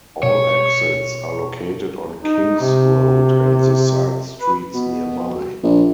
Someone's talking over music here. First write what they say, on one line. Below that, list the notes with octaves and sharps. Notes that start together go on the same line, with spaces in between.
All exits are located on King's Road and the side streets nearby.
B2 C#5
D#4
C3
B4
B2
A#1